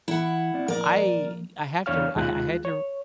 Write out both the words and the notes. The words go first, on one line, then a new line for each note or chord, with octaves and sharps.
I I have to I I had to
E3 E4 F#5
C4 D5
F3 A#3 A#4 D5
E2 D4 C#5 F5 F6
D#2 G#3 F4 F#6
C#5